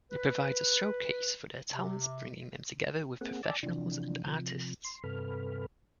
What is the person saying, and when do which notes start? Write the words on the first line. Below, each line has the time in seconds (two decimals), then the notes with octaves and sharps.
It provides a showcase for their talents, bringing them together with professionals and artists.
0.12 B4
1.72 C3
3.21 A#3 C4 G#4 F#5
3.43 D5 G#5 A5 D6 E6 A6
3.63 C3 E3 F3 D4
4.27 C3 F3
4.85 C6
5.04 G2 C3 A4 B4 B5 F6